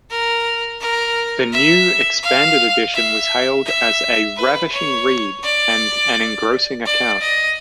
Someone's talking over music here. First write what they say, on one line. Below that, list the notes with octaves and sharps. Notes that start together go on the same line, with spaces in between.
The new, expanded edition was hailed as 'a ravishing read' and 'an engrossing account'.
A#4
A#4
E5
F5
E5
E5
B4
C#5
D5
D5
D#5